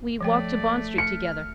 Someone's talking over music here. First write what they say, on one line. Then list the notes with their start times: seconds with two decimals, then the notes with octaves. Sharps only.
We walked to Bond Street together.
0.21 F3 A3 C#5 D5 G5
0.98 F6 C#7